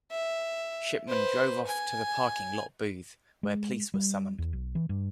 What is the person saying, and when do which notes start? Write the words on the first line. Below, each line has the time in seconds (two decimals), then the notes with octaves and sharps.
Shipman drove off to the parking lot booth where police were summoned.
0.11 E5
1.08 B4 C5
1.67 G#5
3.43 G#3
3.94 G3
4.38 E2
4.53 B1
4.75 E3
4.89 G2